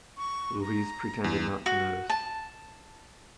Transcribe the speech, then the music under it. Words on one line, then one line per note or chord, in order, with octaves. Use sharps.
Louise pretended not to notice.
C#6
A#5
E2
F#4
A5